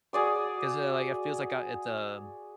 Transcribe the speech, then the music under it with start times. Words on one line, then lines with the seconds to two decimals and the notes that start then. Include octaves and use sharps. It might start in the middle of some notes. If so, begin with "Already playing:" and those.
'cause, eh, like, it feels like, uh it's um
0.13 F#4 G#4 D5 D#6